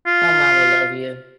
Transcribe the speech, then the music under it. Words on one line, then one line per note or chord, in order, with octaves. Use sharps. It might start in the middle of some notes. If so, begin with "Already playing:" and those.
My mom will love you.
F4